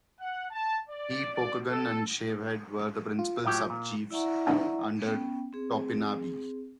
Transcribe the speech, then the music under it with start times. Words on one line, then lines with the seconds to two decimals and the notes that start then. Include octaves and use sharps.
He, Pokagon, and Shavehead were the principal sub-chiefs under Topinabee.
0.19 F#5
0.51 A5
0.89 D5
1.33 D5
1.68 A4
3.19 F4
3.45 A2 F#3 G4
3.70 A#2
4.11 E4 D5 E5 F#5 A#5 C#6
5.04 B3 C#4 G5
5.53 C4 G#4